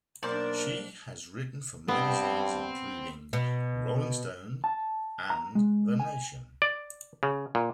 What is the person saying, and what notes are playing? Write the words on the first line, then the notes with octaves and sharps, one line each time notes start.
She has written for magazines including "Rolling Stone" and "The Nation".
B1 A#3 D4 A#4 C5 D5 A5
G2 B3 C4
B2
A5
A#5
G#3
G#5
D5
C#3
A#2